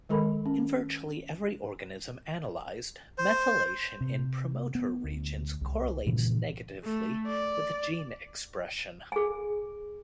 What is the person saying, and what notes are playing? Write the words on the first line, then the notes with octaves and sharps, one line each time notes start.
In virtually every organism analyzed, methylation in promoter regions correlates negatively with gene expression.
D#3 G#3 A4 A#4 B5
C#4
C5
C3
B3
D2
C2
G2 A#2 C#3 E3
A3
D5
G#4 G#5